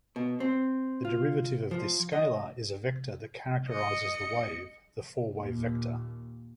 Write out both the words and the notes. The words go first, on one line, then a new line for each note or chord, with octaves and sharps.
The derivative of this scalar is a vector that characterizes the wave, the four-wavevector.
B2
C4
F4
F3
D#5
D#5 C#7
D#2 A#2